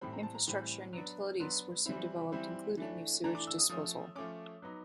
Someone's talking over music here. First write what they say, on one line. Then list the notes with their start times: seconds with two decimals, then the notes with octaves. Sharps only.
Infrastructure and utilities were soon developed including new sewage disposal.
0.01 A2 E3 G3 C4 B5
0.13 A#5
0.23 A5
0.35 A#5
0.47 A2 E3 G3 C4 B5
0.93 F#3 B3 D4
1.40 F#3 B3 D4 C6
1.86 E3 G3 C4 E4
2.32 E3 G3 C4 E4
2.77 E3 A3 D4
3.24 E3 A3 D4 A#5
3.35 D6
3.47 E6
3.59 D#6
3.69 F3 A3 C#4 D#6
4.15 F3 A3 C#4 D6
4.62 F#3 B3 D#4